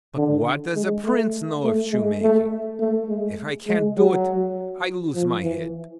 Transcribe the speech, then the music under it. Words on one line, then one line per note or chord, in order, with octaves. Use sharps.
But what does a prince know of shoemaking? If I can't do it, I lose my head.'
D3
G#3
A3
A3
G#3
A3
A3
G#3
G#3
F#3
F3
E3